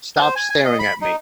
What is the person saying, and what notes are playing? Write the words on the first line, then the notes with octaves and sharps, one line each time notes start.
Stop Staring at Me!
C5
G#5
G#5
D#5
B5
D#4